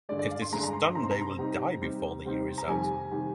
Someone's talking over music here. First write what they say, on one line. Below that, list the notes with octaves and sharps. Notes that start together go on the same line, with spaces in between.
If this is done they will die before the year is out.
G2 D3 G#3 D5
D5
F5
C6
G2 D3 G#3 A#5
A#5
C6
C6
C3 G3 C4 D#4 A#5
C6
A#5
C3 G3 C4 D#4
C3 G3 C4 D#4
C3 G3 C4 D#4
A#5
F2 C3 D#3 G3 G#5
C3 D#3 G3